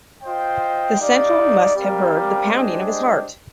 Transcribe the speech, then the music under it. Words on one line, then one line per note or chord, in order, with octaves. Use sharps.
The Central must have heard the pounding of his heart.
F4 C5 D#5 G5
D#4 G4 D5 F5
G3 C4 G4 A#4 F5
G#3 D4 G4 C5 D#5